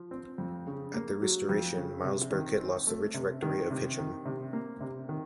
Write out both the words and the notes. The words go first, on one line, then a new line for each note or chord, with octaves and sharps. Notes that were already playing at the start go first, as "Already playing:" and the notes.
At the Restoration, Miles Burkitt lost the rich rectory of Hitcham.
Already playing: F3
C4
F2
C#3
A#3
F#3
F2
C#3
C3
D#3
C4
A3
C3
D#3
C3
D#3
C3
A#3
C3
D#3